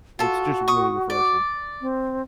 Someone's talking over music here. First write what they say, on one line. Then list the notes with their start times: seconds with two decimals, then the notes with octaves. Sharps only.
It's just really refreshing.
0.19 F4 F#4 A4
0.68 C#6 D#6
1.10 D5
1.81 C4